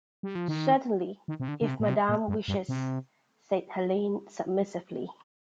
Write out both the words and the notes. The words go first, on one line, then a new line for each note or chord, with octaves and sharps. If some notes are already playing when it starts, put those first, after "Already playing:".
"Certainly, if madame wishes," said Helene submissively.
G3
F3
D#3
D#3
C3
D3
D3
C3
A#2
C3
A#2
G2
G2
C3